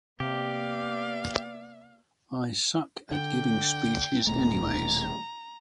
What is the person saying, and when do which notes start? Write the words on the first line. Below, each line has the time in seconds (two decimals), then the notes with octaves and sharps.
I suck at giving speeches anyways.
0.20 C3 A#3 B3 G4 D5 F5
3.11 D3 G5
4.27 D#1 B2 A3 A#5